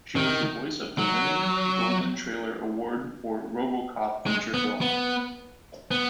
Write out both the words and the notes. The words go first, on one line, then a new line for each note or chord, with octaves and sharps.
She was the voice of the winning Golden Trailer award for RoboCop feature film.
D#3
F#3
G#3
B3
B3
B3